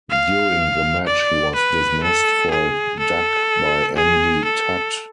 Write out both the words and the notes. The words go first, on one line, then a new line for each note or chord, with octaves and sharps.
During the match he was dismissed for a duck by Andy Tutt.
F5
D5
B4
A4
G#4
A4
G#4
A4